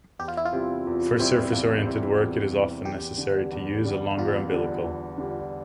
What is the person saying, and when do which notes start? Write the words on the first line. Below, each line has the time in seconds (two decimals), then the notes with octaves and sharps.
For surface oriented work it is often necessary to use a longer umbilical.
0.19 E2 G4
0.28 F4
0.37 E4
0.45 F4
0.52 C3 G3 C4 E4
0.87 E2
1.19 C3 G3 C4 E4
1.52 E2 F4
1.86 C3 G3 C4 E4
2.19 E2
2.53 C3 G3 C4 E4
2.85 E2 G4
3.18 D3 G3
3.51 E2
3.85 D3 G3
4.17 E2 F4
4.52 D3 G3
4.84 E2
5.18 D3 G3